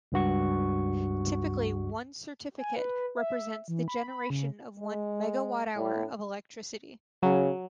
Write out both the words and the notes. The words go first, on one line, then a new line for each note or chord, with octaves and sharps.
Typically one certificate represents the generation of one Megawatthour of electricity.
C#2 G2 F#4 C#6
G#5
B4
E5
E3
B5
B5
C#3
G#3
A2
C#3 F#3